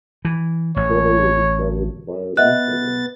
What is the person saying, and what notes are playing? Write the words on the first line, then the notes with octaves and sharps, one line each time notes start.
Taylor was discovered via Instagram.
E3
A1 C#5
B3 D#5 E5 F#5 F#6 A6